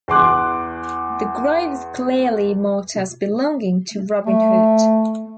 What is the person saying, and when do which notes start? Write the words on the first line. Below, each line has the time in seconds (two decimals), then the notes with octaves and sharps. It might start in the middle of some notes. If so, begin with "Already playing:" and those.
The grave is clearly marked as belonging to Robin Hood.
0.08 E2 C6 D6 F#6
4.26 A3